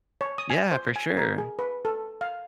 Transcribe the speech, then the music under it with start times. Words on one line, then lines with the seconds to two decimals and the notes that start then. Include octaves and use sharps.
Yeah, for sure.
0.21 C#5
0.38 D#6
0.50 G#5
0.72 C5
0.96 G#5
1.17 A#4
1.38 G#4
1.59 B4
1.85 A4
2.21 F5